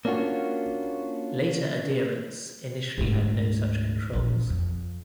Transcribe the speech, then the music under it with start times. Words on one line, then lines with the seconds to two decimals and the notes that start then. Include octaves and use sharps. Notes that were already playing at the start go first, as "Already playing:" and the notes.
Later adherents initially had no such controls.
0.05 A#3 C#4 D4 F4 F#4
2.98 D2 G#2
4.13 A#1 E2
4.50 F2